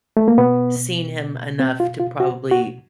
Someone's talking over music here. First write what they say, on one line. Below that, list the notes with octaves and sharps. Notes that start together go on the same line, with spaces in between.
seen him enough to probably
A3
A#3
B2 B3
C4
F4
F4
F#4
F#4